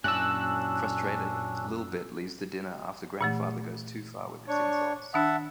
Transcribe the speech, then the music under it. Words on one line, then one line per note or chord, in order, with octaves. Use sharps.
Frustrated, Li'l Bit leaves the dinner after Grandfather goes too far with his insults.
F#2 A#2 C#4 D4 E4 G#5 E6 F#6
A#2 E3 A3
D4 C#5 C#6
D#3 D4 E5 F#5 A5